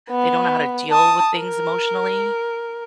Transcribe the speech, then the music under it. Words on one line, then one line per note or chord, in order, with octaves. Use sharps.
they don't know how to deal with things emotionally,
B3
A5 D#6
A#4